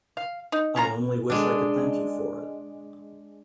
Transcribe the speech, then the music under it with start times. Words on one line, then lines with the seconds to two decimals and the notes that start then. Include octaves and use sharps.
I only wish I could thank you for it.
0.17 F5
0.52 D#4
0.76 C#4 F4 A#5
1.30 G#3 D4